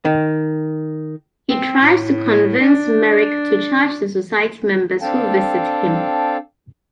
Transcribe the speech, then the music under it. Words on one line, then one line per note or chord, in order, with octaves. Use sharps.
He tries to convince Merrick to charge the society members who visit him.
D#3
C4
A2
D4
C4 D4 A4 F5 G5 A5